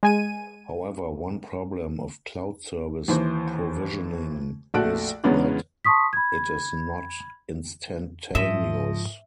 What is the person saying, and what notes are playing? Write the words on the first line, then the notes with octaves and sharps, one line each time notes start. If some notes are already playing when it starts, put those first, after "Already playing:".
However one problem of cloud service provisioning is that it is not instantaneous.
G#3 G#5 D#7
D#2 E3 C5
A#1 A3 F#4 A5 F#6 D7
E2 C#3 G#3 B3 C#4 D4
A5 C6 C#6 D#6 B6
B5 G#6
G#2 F3 D#5 E5